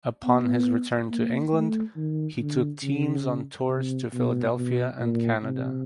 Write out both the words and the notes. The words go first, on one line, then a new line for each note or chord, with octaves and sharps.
Upon his return to England he took teams on tours to Philadelphia and Canada.
B3
A#3
A3
D#3
D3
C#3
C3
B2
B2
A#2
C3